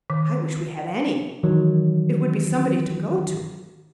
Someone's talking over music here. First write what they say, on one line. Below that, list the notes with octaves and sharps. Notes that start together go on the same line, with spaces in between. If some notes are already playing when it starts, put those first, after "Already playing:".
"I wish we had any--it would be somebody to go to."
D#3
D#3 E3 F#3